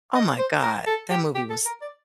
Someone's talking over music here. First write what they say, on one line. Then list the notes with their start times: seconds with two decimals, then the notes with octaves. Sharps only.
oh my god. That movie was
0.15 D#5
0.39 C5
0.62 A#4
0.86 A4
1.10 G4
1.35 G4
1.50 A4
1.65 A#4
1.81 D5